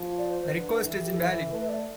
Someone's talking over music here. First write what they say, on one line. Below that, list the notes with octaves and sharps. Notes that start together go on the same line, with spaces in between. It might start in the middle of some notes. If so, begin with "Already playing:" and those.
The request is invalid.
Already playing: F3
D5
C5
C5
D3 B4
E3 A4
G4
A4
E3
A3 B4
E5
D5